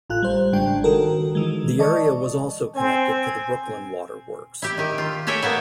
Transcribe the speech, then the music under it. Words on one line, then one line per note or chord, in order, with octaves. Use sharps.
The area was also connected to the Brooklyn waterworks.
A1 F4 F#6
G3 C5
G#1 C#3 G#3 D4 G5
D#3 F#4 A4 A#4
D#3 E3 G#3
D5 D#5 A5 C#6
C4 G#5
E4 G4
D#3 G4
F4
G4 A4 C#5 E5 G5 G#5
A#3 B3 E4